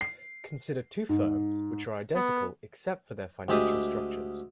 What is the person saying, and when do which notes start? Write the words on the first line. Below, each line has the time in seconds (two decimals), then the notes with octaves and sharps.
Consider two firms which are identical except for their financial structures.
0.01 C7
1.09 G#2
2.15 B3
3.48 D2 G#3 G4 E5 D#6